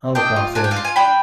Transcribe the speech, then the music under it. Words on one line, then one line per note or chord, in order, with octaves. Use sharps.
I'll look after him.
D4 D#5 G5
F4
D4 G#5
G5
F5 G#5
F4
G#5
D4 G5 B5